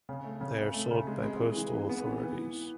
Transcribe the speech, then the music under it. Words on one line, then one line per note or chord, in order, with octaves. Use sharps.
They are sold by postal authorities.
C#3
A3
C#3
C#3
A3
C#3
G#3
G#3
E3
E3
E3
B3
E3
E3